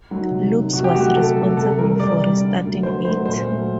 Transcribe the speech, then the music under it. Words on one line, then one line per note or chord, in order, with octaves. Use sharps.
Lopes was responsible for restarting it.
D#3 F#3
C3
D#3 F#3
C3 F#4
G4
F#3 A3 F#4
C3 A4
F#3 A3 A4
C3 A4
G3 A#4
C3 D5
G3
D3
F#3 A3
D3 C5
F#3 A3 C5
A#2 C5
F#3 A3